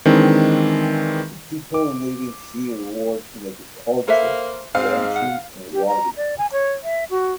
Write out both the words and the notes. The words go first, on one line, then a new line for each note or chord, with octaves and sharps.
The people living here worked in agriculture, ranching and logging.
D#3 E3 G#3 C4 D4
D6
A#3 A4 B4 C5 E5
G#2 C4 F5
F#5
G4
A#5
D5
G#5
C#5
E5
F#4